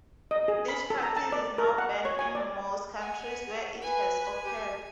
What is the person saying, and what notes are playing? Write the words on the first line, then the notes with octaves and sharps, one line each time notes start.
This practice is now banned in most countries where it has occurred.
D#5
G#4
B5
A4
A#5
A5
D5
A#4
F#5
C#5
G#5
D5
F#5 G#5
B4 G#5
G4